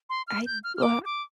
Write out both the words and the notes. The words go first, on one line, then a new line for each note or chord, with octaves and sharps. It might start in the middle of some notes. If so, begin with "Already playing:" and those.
I uh,
C6
F6
G6
F6
F6
D6
D6